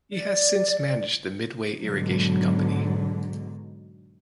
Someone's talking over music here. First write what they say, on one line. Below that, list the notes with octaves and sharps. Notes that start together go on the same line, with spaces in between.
He has since managed the Midway Irrigation Company.
D5
G#2 B2 D3 F#3